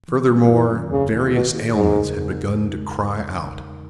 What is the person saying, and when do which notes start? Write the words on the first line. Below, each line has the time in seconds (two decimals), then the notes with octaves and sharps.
Furthermore, various ailments had begun to cry out.
0.08 E3
0.29 G#3 C#4 F#4 B4
0.50 F#2 E3
0.70 D#3 F#3 C#4
0.91 D#2 C#3
1.12 C#3 E3 A#3 E4
1.32 B2 D#3
1.53 A#3 E4 G#4
1.74 E2 G#2
1.94 C#3 G#3 D#4 A#4